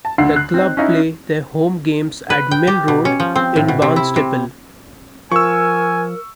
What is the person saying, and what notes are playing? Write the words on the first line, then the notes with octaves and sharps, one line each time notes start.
The club play their home games at Mill Road in Barnstaple.
A5
D2 D3 F#5 C7
F#6
C4 D#4
C#4 D#4 E4
B4
G5
G4
B2
C#4
F3
C4
A2
B2
C3
E4
C3
F3 A#4 G#5 C#6 E6